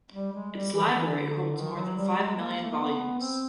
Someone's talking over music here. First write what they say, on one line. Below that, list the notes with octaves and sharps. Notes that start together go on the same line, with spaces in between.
Its library holds more than five million volumes.
G3
G#3
G3
E3
D#3
E3
D3
D#3
F#3
G3
G#3
A#3
A3
A#3
B3
C4